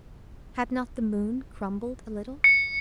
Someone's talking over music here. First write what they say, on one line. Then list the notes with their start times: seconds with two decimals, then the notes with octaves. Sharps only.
Had not the moon crumbled a little?
2.44 C#7